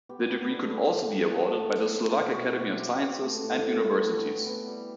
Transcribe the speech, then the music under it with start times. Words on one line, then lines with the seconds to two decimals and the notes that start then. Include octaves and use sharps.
The degree could also be awarded by the Slovak Academy of Sciences and universities.
0.09 B3 G4
0.30 B3 B4
0.51 D3
0.72 B3
0.93 E3
1.13 E3
1.34 B3 A4
1.55 A2
1.76 B3
1.97 B3
2.17 B2 G4
2.32 F#4
2.39 B2
2.45 E4
2.59 E3 G4
2.80 C4 G4
3.01 C4
3.21 A3
3.43 A2
3.64 A2
3.84 B3 E4
4.05 A2
4.26 E3
4.47 B3
4.68 G3